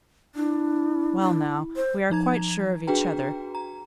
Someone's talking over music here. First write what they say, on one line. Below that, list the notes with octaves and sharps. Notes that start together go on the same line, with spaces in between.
'Well now, we are quite sure of each other.
D4 E4
D4
C5
F3 D#4 A#5 G#6
D4 F#4 G#4 B4 G5 A#5
A#5